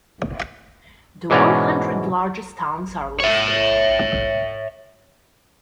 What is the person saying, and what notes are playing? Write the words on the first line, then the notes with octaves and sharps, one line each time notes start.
The one hundred largest towns are listed.
G#2 B2 E3 C#4 D5 A#5
C#5 E5